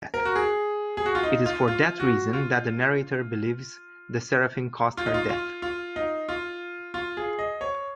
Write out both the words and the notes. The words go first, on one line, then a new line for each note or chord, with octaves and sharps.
It is for that reason that the narrator believes the seraphim caused her death.
A#4
F#4
G#4
G#4
F#4
F4
D#4
F4
F4
F#4
F4
F4
D#4
F4
F4
F4
D#4
F4
F4
G#4
D#5
C#5